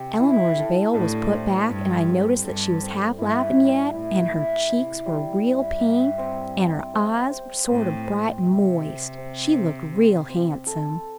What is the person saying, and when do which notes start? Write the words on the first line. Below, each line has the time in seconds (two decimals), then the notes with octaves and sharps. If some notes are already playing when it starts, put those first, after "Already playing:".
Eleanor's veil was put back, and I noticed that she was half-laughin' yet, and her cheeks were real pink, and her eyes sort of bright and moist--she looked real handsome.
Already playing: C3 G4 E5
0.20 E4
0.57 A4
0.94 A2 D4
1.33 C5
1.70 G2 G4
2.07 C4
2.44 G2 A4
2.82 C4
3.19 G2 E4
3.56 G2 G3
3.93 A2 E4
4.31 E4
4.68 C3 D5
5.06 G3
5.43 G2 E5
5.80 E5
6.18 C4
6.56 D5
6.94 C5
7.30 C5
7.68 A2 C4
8.05 C4
8.42 C3 E5
8.81 G4
9.18 C4
9.55 C4
9.92 C4
10.30 C4
10.67 A4